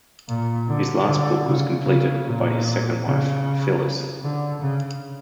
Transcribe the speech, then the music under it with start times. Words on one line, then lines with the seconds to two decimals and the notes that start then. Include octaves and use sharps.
His last book was completed by his second wife Phyllis.
0.28 A#2
0.67 D3
1.06 D3
1.45 C#3
1.86 C#3
2.25 A#2
3.04 C#3
4.22 D3
4.60 C#3